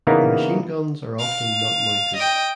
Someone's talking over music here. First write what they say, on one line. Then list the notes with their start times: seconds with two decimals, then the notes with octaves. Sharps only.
The machine guns are often not mounted.
0.07 C#3 E3 A#3 B3 D#4 A#4
1.19 F5
2.16 D#5 G5